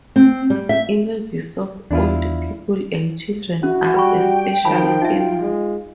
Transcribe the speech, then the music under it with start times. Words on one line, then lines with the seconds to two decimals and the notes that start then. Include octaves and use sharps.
Images of old people and children are especially famous.
0.16 C4
0.50 G3
0.69 E5
1.91 E2 D4 E4 F4
3.63 C#4 E4 F#4
3.94 G3 B4 G5 B5 C#6
4.65 D#3 F3 A5 B5
5.01 D#4 F4 E5
5.41 G#3